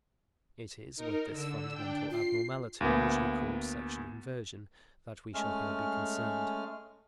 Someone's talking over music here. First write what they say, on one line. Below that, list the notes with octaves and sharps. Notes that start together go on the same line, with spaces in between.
It is with this fundamental abnormality, usually called sexual inversion, that we shall here be concerned.
D#4 A#4
D3 E6
D4 G5
F4 C7
D2 A#3 B3
G#3 A3 C#4 F6